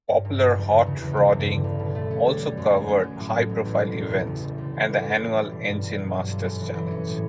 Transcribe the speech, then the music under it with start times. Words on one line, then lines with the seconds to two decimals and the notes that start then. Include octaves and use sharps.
"Popular Hot Rodding" also covered high-profile events and the annual Engine Masters Challenge.
0.09 G2
0.25 G2
0.40 F#1
0.55 E2
0.71 C#3
0.86 C#3
1.02 E2
1.17 E1
1.33 G2
1.48 D3
1.64 B1
1.79 B2
1.95 A3
2.11 C#4
2.26 G3
2.41 G3
2.57 F#2
2.72 F#2
2.88 C#4
3.03 F#3
3.19 A2
3.35 A2
3.49 A1
3.65 A1
3.81 B2
3.96 E2
4.12 C#3
4.27 F#1
4.43 E1
4.58 D2
4.74 E3
4.89 A1
5.05 F#2
5.20 E3
5.36 G3
5.52 B2
5.67 G2
5.83 G2
5.99 F#3
6.14 G2
6.30 G1
6.44 F#2
6.61 E3
6.75 E3
6.91 C#4
7.07 A2